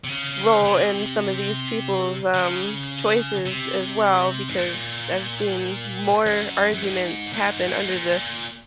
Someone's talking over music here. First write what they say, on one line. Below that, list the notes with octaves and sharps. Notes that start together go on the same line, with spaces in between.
role in some of these people's, um, choices as well because I've seen more arguments happen under the
C3
C#3
C3
C#3
C3
G#2
A#2
F#2
F#2
G#2
A#2
G#2
A#2
G#2
A#2